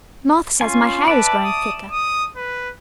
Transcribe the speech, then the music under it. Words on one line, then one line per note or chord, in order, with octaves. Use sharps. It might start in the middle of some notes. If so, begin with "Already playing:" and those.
Martha says my hair is growing thicker.
C#4 F4 G#5
B4 D5 E5 A5
D#6
D#6
B4